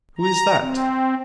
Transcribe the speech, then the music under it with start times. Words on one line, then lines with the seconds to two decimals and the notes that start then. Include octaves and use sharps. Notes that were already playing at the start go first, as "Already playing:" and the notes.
Who is that?
0.19 A#5
0.59 C4